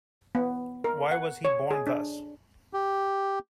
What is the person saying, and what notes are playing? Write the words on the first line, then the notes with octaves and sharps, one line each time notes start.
Why was he born thus?
B3
A#4
F#5
C#5
G#4
D4
G4